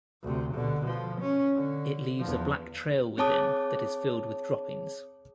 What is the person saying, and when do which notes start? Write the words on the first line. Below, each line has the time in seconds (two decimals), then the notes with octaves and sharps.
It leaves a black trail within that is filled with droppings.
0.22 D2 C3
0.54 B2 D3
0.86 F3
1.21 C#4
1.55 D3
2.20 E2 F3
3.18 C4 G#4 C#5 A5 D6 D#6